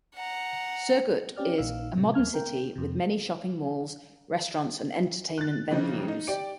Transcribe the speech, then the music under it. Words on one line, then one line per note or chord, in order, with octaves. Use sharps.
Surgut is a modern city with many shopping malls, restaurants, and entertainment venues.
F#5 A#5
C4 C#4 G4 D5 F6
A#1 A#2 D#4 F5 E6
A2 C3 F#3
D#2 A#3 F6 G#6
A#4 G5
F2 C3
F#6 A6
C#3 E3 F3 C4 D#4
D#4
G4 D5 D7